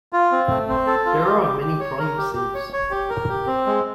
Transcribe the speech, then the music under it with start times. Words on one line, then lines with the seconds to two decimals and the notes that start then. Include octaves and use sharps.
There are many prime sieves.
0.13 F4
0.32 C4
0.50 A3
0.69 C4
0.87 A4
1.06 F4
1.24 G4
1.43 G4
1.61 G4
1.80 C#5
1.99 A#4
2.17 G4
2.35 G4
2.54 C#5
2.73 C#5
2.91 G4
3.10 A#4
3.29 G4
3.47 C4
3.66 G#3